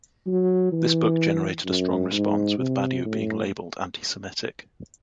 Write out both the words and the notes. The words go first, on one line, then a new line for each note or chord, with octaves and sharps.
This book generated a strong response with Badiou being labelled Anti-Semitic.
F#3
E3
F#2
G#2
C3
A2